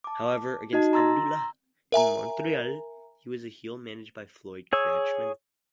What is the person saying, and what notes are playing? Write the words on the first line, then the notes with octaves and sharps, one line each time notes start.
However against Abdullah in Montreal he was a heel managed by Floyd Creatchman.
A5 D6
D#4 F#4 D#5 A5
A#5 C6 E6 A6 A#6
A#4 E5 G#5 A#5
G#4 C#5 E6